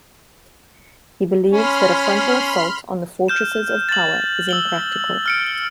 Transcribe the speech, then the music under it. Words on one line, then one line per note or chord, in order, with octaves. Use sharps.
He believes that a frontal assault on the fortresses of power is impractical.
C#4 B5 C6 F6
F6 G6 E7
A6 F#7
E6 F#7 G7
F6 C#7 D7